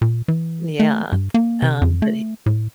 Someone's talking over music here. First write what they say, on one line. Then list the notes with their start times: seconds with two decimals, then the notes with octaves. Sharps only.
Yeah, th um, but he
0.01 A#2
0.28 E3
0.80 A3
1.12 G2
1.34 A#3
1.62 C3
1.81 F2
2.02 A3
2.46 A2